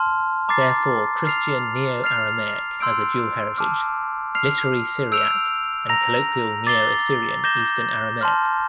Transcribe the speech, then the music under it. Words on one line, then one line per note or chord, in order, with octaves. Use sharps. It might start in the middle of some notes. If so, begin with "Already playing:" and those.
Therefore, Christian Neo-Aramaic has a dual heritage: literary Syriac and colloquial Neo-Assyrian Eastern Aramaic.
Already playing: A5 C6 F6
A#5 D6 A6 C7
F6 C7 F7
F6 A6 C7 F7
C6 E6 G6 D7
A5 D6 F6
F6 C7 F7
E6 G6 D7 F7
A#5 E6 A#6 F7
D6 A6 C7 G7
D6 G6 A#6 E7 G7
A5 C6 F6